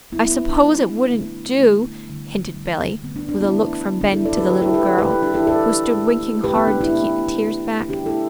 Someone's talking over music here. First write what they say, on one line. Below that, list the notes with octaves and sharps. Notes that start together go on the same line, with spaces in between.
"I Suppose it wouldn't do--" hinted Billy, with a look from Ben to the little girl, who stood winking hard to keep the tears back.
B2 G3 B3 E4
B3 E4
B3
D4
B2 G3
D3 A3
D3 A3
D3 G3
D3 G3
D3 A3 B3
D4
D4
B3 E4
D3 A3
D3 G3 D4
E4 A4
A4 D5
G4 B4
D3 G3 G4 B4
E4 A4
G4 B4
A4 D5
D3 G3 G4 B4
E4 A4
D4 G4
E4 A4
D3 G3 A4 D5
B2 A3
B2 A3 G4 B4
B3
D4
B3 E4
B2 A3
B2 A3
B2 G3 D4 G4
E4 A4